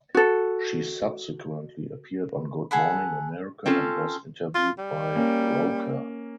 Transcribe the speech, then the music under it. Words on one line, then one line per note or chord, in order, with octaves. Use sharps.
She subsequently appeared on Good Morning America and was interviewed by Roker.
F#4 A4
G#4 A4 F#5 B5
C4 C#4 F4 A4
F4
G3
A#3 C#4